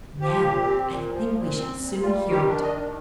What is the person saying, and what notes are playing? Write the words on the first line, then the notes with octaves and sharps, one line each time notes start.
"But now I think we shall soon hear it."
F3 G4
A#2
C4
A#2
F3
A#2
C4
A#2
G3 F4
D#3
G4
D4
D#5
D#3